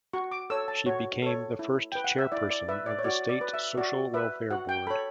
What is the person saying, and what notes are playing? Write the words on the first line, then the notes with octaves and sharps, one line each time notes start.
She became the first chairperson of the State Social Welfare Board.
F#4 C#6
D6
A4 C#5 E6
A5
F#4 C#5
A4 C#5
E4
B4 G5
F#5
E5
E4 D5
D5
B4 E5
D5
C#5
F#4 D5
D5
B4
E5
F#4 D5
B4 E5
F#4 F#5
G5
A4 C#5 B5